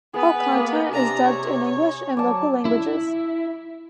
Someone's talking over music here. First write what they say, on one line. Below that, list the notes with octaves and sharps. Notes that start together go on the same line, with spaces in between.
All content is dubbed in English and local languages.
B3 G#4 B4
A#3
C3 D4 A#5
C#5
F#3 D5 A5
E4